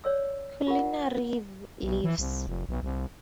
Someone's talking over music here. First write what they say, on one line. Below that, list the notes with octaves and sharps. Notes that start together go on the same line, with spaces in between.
Culinary leaves.
C#5 D5 E6
F4 G4 A#4 F#5
B1
E3
C2
F1
B1
C2